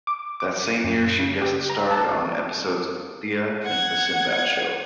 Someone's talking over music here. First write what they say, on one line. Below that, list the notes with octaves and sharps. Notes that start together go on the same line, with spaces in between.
That same year she guest starred on episodes of "Thea" and "The Sinbad Show".
D6
D6
D#7
F#2
C#3
G4
A#5
A5
F#5 G#6